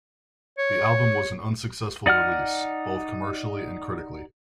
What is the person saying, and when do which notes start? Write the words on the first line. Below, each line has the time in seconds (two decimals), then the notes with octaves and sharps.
The album was an unsuccessful release, both commercially and critically.
0.59 C#5
2.06 D#4 D5 F#5 F6